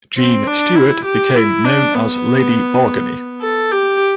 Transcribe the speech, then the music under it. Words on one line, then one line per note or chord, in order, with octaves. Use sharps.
Jean Stewart became known as "Lady Bargany".
C4
D4
E4
G4
E4
D4
B3
A4
G4